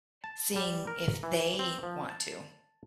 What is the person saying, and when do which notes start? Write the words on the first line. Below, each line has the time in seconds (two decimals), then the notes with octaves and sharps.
seeing if they want to.
0.24 A5
0.56 G3
0.87 A#4
1.23 E3
1.59 C4
1.83 F3
2.10 A5